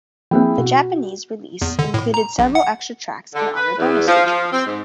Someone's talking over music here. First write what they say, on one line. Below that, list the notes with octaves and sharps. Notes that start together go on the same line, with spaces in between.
The Japanese release included several extra tracks and other bonus features.
F3 A#3 C4 E4 G#4 G5
B2 F#4
E2
D3
A2
A#5
A#1
F#5
D3
B4
E2
F3
F3
C4
G#2